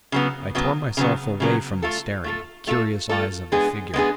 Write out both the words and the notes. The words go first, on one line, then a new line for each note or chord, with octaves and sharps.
I tore myself away from the staring, curious eyes of the figure.
C#3 F#3 B3
C#3 F#3 B3
C#3 F#3 B3
C#3 F#3 B3
A3 F4 A4
A3 F4 A4
A3 F4 A4
A3 F4 A4
G#3 B3 D4 G#4
G#3 B3 D4 G#4